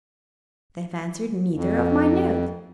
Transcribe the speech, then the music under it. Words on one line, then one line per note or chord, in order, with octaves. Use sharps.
They have answered neither of my notes.
F2